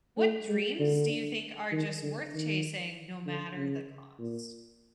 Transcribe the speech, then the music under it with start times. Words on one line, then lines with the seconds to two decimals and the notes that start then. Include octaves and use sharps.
What dreams do you think are just worth chasing, no matter the cost?
0.18 A3
0.48 G#3
0.80 D3
1.72 D#3
2.03 D3
2.34 D#3
3.26 D3
3.57 C#3
4.19 A#2